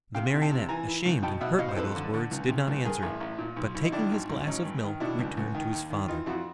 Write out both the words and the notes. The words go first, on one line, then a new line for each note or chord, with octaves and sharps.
The Marionette, ashamed and hurt by those words, did not answer, but taking his glass of milk returned to his father.
C3 F5 G5
C3
G5 A5
C3
E3 G#5 A#5
E3
C#2
B2 G5 A5
B2 E5 F#5
B2 D#5 F5
C5
F2 A4 B4
D3
D3
C#2
C3
C#2
G2 G#4 A#4
A1
A1
A#2
B1
B1
D#4
D#3 D4 E4
G#1
G#1
G#1 C#4 D#4
G2
D#3
B2 D4 E4
C#2
C#2
D#3
D#2
D#3
E3 D#4 F4
F2 E4 F#4